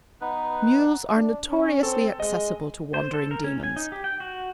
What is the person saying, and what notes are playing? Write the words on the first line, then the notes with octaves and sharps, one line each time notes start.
Mules are notoriously accessible to wandering demons.
B3 D#4 B4
D4
C#4
C4 A4
G#3 D#5
C5
A4
A#4
C#4
G#5
D#4
G4
G5
F#4